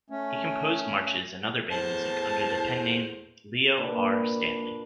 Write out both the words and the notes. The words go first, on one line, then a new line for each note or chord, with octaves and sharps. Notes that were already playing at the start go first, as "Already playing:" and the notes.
He composed marches and other band music under the pen name Leo R. Stanley.
A3 C#4
E2 A2 C5 A5
A#2 D4 B4